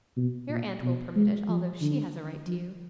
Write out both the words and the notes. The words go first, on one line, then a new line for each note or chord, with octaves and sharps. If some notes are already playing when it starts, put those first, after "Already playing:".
Your aunt will permit it, although she has a right to you.
B2
A#2
B2
G#3
F3
D3
F3